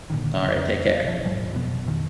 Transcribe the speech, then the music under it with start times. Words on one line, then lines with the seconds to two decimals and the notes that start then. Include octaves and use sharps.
Alright. Take care.
0.10 A#2 D3 D#3
0.43 F2 C#3
1.04 B1 F3
1.25 D#1 G#2 F#3 G#3
1.53 F2 B2 B3
1.85 F2 D#3